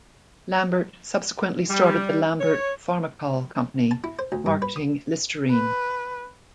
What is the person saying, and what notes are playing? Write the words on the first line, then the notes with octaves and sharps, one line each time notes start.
Lambert subsequently started the Lambert Pharmacal Company, marketing Listerine.
G3
C#5
A5
E4
C5
D2
G2
B4
D#6
B4